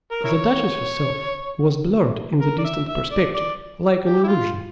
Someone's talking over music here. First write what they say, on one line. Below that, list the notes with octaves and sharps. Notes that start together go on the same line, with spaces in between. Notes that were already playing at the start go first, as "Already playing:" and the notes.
The duchess herself was blurred in the distant perspective like an illusion.
A#4
E4 A#4 C#5
A#4
D5
E5
E5
D5
D5
G4
E4
F4